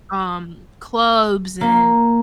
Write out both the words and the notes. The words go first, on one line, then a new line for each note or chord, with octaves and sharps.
Um, clubs and,
A#3